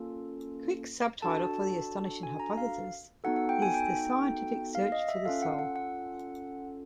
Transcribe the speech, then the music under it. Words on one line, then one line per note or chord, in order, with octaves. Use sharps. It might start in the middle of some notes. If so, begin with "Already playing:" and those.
Crick's subtitle for "The Astonishing Hypothesis" is "The Scientific Search For The Soul".
Already playing: A#3 C#4 F4 A4
D4 F#4 A4 A5
G#5
A#5
F5
B3 D#4 F#4 A4 F#5
F#5
G5
G#5
G5
F5
D#5
E5
C#4 F4 A4 F5
F#5
F#5
F#5